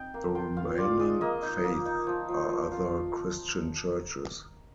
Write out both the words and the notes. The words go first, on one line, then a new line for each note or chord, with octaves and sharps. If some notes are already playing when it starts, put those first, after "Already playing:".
The remaining faiths are other Christian Churches.
Already playing: C4 D#4 G5
A#3
F4 G5
F4 F5
F4 D5
G#3 D#5
A#3 D#5
D#4
A#3
D#4
F3
F3
F3
F4